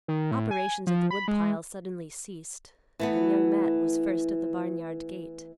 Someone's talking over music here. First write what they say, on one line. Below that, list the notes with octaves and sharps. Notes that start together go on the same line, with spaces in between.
Operations at the woodpile suddenly ceased and Young Matt was first at the barn-yard gate.
D#3
A2
G#5
F3
B5
G#3
E3 A3 B3